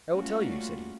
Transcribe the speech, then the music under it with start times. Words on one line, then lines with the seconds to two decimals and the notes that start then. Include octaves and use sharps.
"I will tell you," said he.
0.11 G3 A3 A#3 C#4 F4 F#4